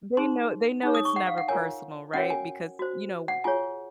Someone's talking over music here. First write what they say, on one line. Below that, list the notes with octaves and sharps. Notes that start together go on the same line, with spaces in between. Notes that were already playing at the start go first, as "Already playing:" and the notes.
They know they know it's never personal, right? Because, you know
D#4 G#4 C5 C6
D#4 G#4 C#5
D#6
C#6
F#5
F5
F#5
F4 A#4 C#5 G#5
C#4 F#4 A#4 C#5 F#5
G#5
F#4 C5
F#5
F4 G#4 C#5 G#5